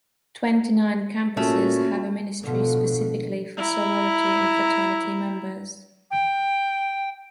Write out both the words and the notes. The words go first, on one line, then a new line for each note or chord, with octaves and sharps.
Twenty-nine campuses have a ministry specifically for sorority and fraternity members.
A#2 A3 C#4 F#4
B2 D3 F3 F4
E4 A#5
G5